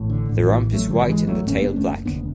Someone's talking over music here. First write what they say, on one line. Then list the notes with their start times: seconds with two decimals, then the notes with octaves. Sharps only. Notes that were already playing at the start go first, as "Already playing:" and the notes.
The rump is white and the tail black.
Already playing: A1 A2
0.10 D3
0.29 A1 A2
0.43 E3
0.73 F#3 A3
0.88 G#1 G#2 D3 F#3
1.02 F#3
1.07 E3 G#3
1.27 F#3 A3
1.47 F#1 E2 C#3 A3 C#4
1.62 B3 D4
1.76 A3 C#4
2.05 E1 D2 C#3 B3 D4